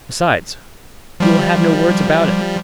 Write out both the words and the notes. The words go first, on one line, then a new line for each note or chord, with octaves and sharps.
Besides, we will have no words about it.
F3 G3